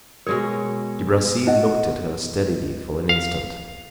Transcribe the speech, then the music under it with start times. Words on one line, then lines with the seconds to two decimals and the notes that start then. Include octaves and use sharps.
De Bracy looked at her steadily for an instant.
0.27 B2 G#3 A#4 C#5
1.47 D#4 F#4 D#5 F#5
3.09 F5